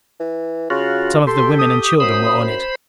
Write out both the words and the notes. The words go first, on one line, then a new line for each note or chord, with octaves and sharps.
Some of the women and children were on it.
E3
C#3 F4 F#4
G4 A4 C6
D#6
F#2 C5 B5